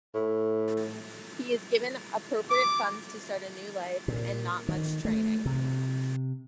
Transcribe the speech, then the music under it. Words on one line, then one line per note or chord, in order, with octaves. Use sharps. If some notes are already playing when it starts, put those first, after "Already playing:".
He is given appropriate funds to start a new life and not much training.
A2
D6
A#2
D#3
A3
C3